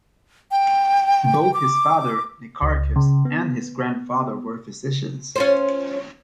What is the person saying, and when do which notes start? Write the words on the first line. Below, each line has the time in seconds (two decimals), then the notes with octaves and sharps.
Both his father, Nicarchus, and his grandfather were physicians.
0.51 G5
1.54 D6
2.62 C#2
2.96 C#3
3.25 B3
5.36 C#4 F4 C5